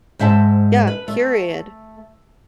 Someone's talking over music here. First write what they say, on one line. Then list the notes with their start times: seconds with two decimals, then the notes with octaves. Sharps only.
Yeah, period.
0.19 G#2 C5 E5 F#5 A5
0.87 B4
1.08 A3